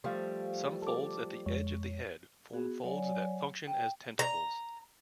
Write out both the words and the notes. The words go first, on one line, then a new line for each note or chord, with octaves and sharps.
Some folds at the edge of the head form folds that function as tentacles.
F3 G3 A3 C5 F5
A4 D6
F2 G#3 C#5
B3 F#4 G#4
F#3 C#5 D5 G#5
G5
A#5